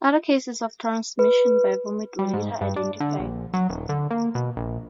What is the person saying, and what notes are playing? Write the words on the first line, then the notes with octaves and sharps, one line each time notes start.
Other cases of transmission by vomit were later identified.
B4
G3
G#2
G2
D4
D3
A#1
F#3
D#1
D3
A#3
B2
A#1